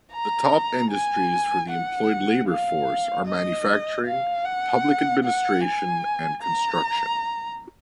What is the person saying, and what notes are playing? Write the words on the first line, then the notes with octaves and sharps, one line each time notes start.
The top industries for the employed labour force are manufacturing, public administration and construction.
A#5
G#5
F#5
F5
D#5
F5
F#5
F#5
G#5
A#5